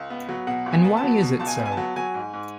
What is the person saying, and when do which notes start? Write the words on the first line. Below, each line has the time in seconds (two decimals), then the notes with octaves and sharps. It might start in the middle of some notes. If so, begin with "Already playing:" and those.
And why is it so?
Already playing: C#2
0.10 B3
0.29 F#3
0.47 B2 F#5
0.66 C#2
0.72 G#5
0.84 B3
0.97 A5
1.03 F#3
1.22 B2
1.40 C#2 A5
1.47 G#5
1.58 B3
1.66 G#5
1.72 A5
1.77 F#3
1.96 F#3 G#5
2.14 G#2
2.33 G#2